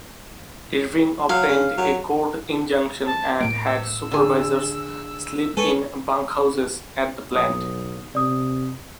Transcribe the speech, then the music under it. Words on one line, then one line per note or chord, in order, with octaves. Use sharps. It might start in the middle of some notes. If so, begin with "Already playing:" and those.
Irving obtained a court injunction, and had supervisors sleep in bunkhouses at the plant.
F#3 F5
C#3
F#3
A5
A2 A3 A#3 D7
E6
D3 G#4
G#3 A4 B4 G#5 C#6
B1 D#6
C3 D5 D#6